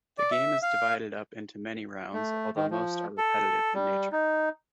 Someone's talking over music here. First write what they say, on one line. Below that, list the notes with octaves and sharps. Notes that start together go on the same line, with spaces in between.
The game is divided up into many rounds, although most are repetitive in nature.
D5
E5
F5
A3
D#3
F3
A4
G3
D#4